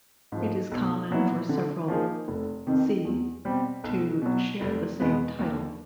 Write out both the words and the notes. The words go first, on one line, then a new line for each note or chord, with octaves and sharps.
It is common for several "ci" to share the same title.
G#2 F3
B1
A#2 F#3 B3 E4
D3
F3 A#3 D#4 G#4
F1
F2 C3 D#3
E2
B2 G3 C4
B1
B2 F#3
F1
E2 B2 G#3 B3
D#2